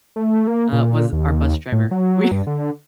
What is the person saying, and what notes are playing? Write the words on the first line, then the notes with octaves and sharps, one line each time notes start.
uh, was our bus driver. We
A3
A#3
A#2
D#2
A2
F#3
G2
D3